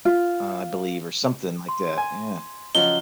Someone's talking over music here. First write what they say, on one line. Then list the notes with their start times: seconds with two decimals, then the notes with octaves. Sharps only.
I believe, or something like that. Yeah.
0.05 F4
1.69 C6
1.97 G#5
2.75 C#3 F3 F#3 D#5 G7